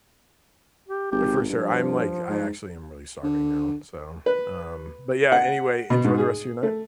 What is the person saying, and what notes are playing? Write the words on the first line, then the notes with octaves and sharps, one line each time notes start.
For sure, I'm like I actually am really starving now, so, um But yeah, anyway, enjoy the rest of your night.
G4
G#1 G4
G2 F3
G#2
D3
B4
F#5
B2
G#2
G#4
A3